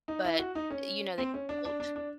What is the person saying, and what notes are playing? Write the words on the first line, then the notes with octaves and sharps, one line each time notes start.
but, you know, they mulch?
D#4
E4
F#4
D#4
C#4
C4
C#4
D4
D4
D4
D4